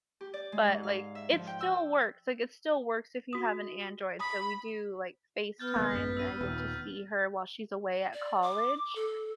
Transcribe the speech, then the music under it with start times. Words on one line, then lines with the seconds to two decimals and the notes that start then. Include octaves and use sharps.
but, like, it still works, like, it still works if you have an Android, so we do like FaceTime, and I get to see her while she's away at college.
0.21 G4
0.34 D5
0.52 G#3
0.67 G#2
0.83 F5
1.15 E5
1.32 F3
1.47 G5
1.61 E6
3.33 F#4 D#6
4.20 B5 D#6
5.59 B3 F6 G6 A6
5.76 C#3 G3 A#3
5.91 A1 F#2 B6
6.17 E6 D#7
6.41 D#1
8.13 D5
8.42 D6
8.95 A4